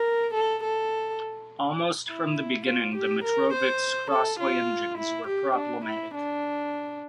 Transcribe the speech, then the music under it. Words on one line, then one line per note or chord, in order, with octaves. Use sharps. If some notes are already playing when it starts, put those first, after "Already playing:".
Almost from the beginning the Metrovick's Crossley engines were problematic.
Already playing: A#4
A4
A4
E4
F4
G4
A#4
C5
A4
F4
E4
G4
D4
E4
D4